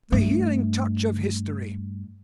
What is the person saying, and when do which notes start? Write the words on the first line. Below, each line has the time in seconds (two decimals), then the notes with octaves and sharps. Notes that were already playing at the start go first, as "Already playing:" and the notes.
"The healing touch of history."
0.12 G2 A3